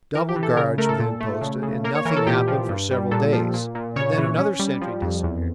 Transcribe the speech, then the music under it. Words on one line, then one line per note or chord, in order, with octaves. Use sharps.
Double guards were then posted, and nothing happened for several days--and then another sentry disappeared.
E3 A#4
G4
E3
A4
C#3 A#4
A3 A#4
A4
A#2
A3
C#3
C#3
A#3 A#4
C#5
E3 A#4
A4
A#2 G4
F3
G2
G3
A#2 A4
F3
A#2
A#2
C#3 C#5
E3
C#4
G3
F3
F2
E2